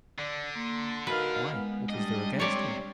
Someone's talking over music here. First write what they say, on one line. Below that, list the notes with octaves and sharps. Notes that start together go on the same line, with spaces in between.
"Why, what is there against him?"
D3 D5
A#3 C6
D#4 F#4 A#4 B4 F5
G#3 B3
G3 D4 D#5
C3 C#5 D5